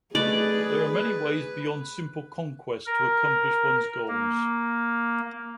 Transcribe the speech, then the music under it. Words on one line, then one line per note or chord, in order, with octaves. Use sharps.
There are many ways beyond simple conquest to accomplish one's goals.
A3 G#4 B4 D5 D#5
A#4
A#3